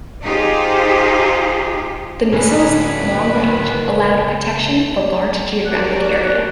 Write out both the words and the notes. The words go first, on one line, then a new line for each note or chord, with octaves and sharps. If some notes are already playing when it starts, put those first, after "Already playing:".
The missile's long range allowed protection of a large geographic area.
D#4 F4 G4 G#4 C5
D2 A2 C#4 B4
C#3 A#4
F#3 G4 A#4 D5 F#5